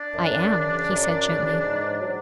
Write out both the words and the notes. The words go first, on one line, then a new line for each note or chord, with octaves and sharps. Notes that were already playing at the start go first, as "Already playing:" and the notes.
'I am,' he said gently.
Already playing: D4 D5
F#2
C#3 E3
F#2
C#3 E3
G#2
F#3